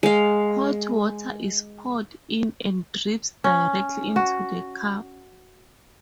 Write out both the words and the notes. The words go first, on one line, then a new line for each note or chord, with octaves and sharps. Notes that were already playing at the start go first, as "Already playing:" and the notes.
Hot water is poured in and drips directly into the cup.
G#3 F5
C#4
F#4